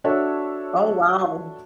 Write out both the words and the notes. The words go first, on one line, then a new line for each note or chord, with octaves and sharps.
Oh, wow.
D4 F#4 A4 C#5 E5